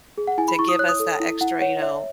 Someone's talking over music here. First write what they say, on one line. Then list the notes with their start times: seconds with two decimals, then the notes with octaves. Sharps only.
to give us that extra, you know,
0.18 G#4
0.27 F#5
0.38 E4 G#5
0.48 B5
0.59 E4 C#6
0.69 D#6
0.79 C#5 F#6
0.89 D#6
1.00 A4
1.20 E4
1.41 E4 F#5
1.61 C#5 F#5
1.82 C#5 E5